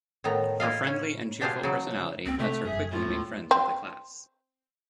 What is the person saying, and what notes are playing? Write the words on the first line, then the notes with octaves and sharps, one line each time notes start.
Her friendly and cheerful personality lets her quickly make friends with the class.
A2 D#3 B3 A#5
E4 F4 D#5 F5
C#4
B2 D4 G4 G#4 C5 F5
C#3 F#3
C#2 A#3 C4
C3 A3 C4 A4 D5
F1 G2 G#4 E5
F#2
A2 F4
D#2 G#3 B3
C4